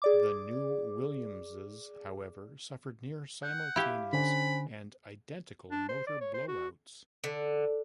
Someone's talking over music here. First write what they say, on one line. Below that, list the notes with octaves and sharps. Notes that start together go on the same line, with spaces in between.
The new Williamses, however, suffered near-simultaneous and identical motor blow-outs.
G#4 D5 D6
F#5 G6
E4 G4 F5
D3 C#4 C5 G#5 B5
D4
C5
D5
C#5
C5
F#4
D3